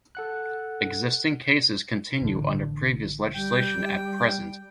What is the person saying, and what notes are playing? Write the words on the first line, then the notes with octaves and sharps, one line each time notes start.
Existing cases continue under previous legislation at present.
A4 F#5 F#6
A1 D3
G3 G5